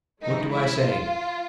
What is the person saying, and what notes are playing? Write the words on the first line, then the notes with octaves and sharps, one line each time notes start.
What do I say?
G#2 E3 G#3 D#4
E4
F4